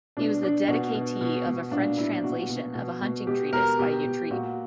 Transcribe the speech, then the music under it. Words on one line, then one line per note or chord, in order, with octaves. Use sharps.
He was the dedicatee of a French translation of a hunting treatise by Yatrib.
B2 D4
B2 D4
B2 F#4
B2
B2
B2
A#2 D4
A#2 E4
B2 F#4
B2
B2
B2
B2 G4
B2 A#4
B2 G4
B2
A#2 F#4